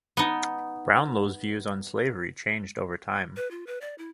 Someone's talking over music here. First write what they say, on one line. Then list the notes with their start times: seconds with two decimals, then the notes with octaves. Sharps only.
Brownlow's views on slavery changed over time.
0.17 B3 D#4
3.37 B4
3.51 F4
3.67 B4
3.81 D5
3.98 E4